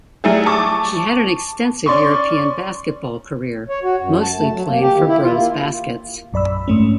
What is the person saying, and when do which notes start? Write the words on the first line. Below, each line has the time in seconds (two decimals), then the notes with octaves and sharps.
He had an extensive European basketball career, mostly playing for Brose Baskets.
0.24 F#3 G3 A3 E4 G#4
0.46 A5 C#6 D6
1.86 C#4 D5 C6 C#6
3.69 C#5
3.83 F#4
4.01 F#2
4.22 A5
4.38 A3
4.54 F#3
4.68 A#3
4.80 G4
4.96 D#3
5.07 E4
5.22 F4
5.35 A#3
6.33 A#1 F#2 D5 B5 E6
6.68 G#2 A3 C#4